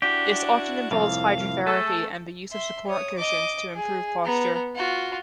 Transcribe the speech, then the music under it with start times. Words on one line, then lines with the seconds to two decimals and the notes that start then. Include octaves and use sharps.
This often involves hydrotherapy and the use of support cushions to improve posture.
0.02 D4 E4 F#4 G4
0.91 C2 F2 A2 F5
1.67 A3 G#4 A4
2.51 E5 C6
2.88 C#5 D#6
3.18 D#5 D6
3.75 G#4
4.25 B3 A#5
4.75 F4 F#4